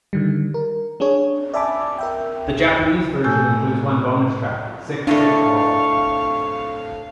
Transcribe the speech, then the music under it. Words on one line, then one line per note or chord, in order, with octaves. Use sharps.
The Japanese version includes one bonus track, "Sick Sick World".
D3 D#3 G3
A#4
C#4 D4 G#4 C#5
D5 E5 G#5 A5 B5 D6
A#4 E5 G5
A2 A3 G4 G#5 E6 G6
A2 C3 A3 D4 F5 C#6